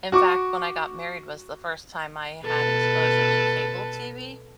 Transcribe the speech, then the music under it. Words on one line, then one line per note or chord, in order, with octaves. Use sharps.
In fact, when I got married was the first time I had exposure to cable TV
F#4 C#6 D6
B2 A4 B4